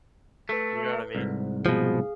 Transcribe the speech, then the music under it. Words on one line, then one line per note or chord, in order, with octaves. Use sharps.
You know what I mean?
A3 A4 B4
C2 G#2
B2 F3 G#4 F5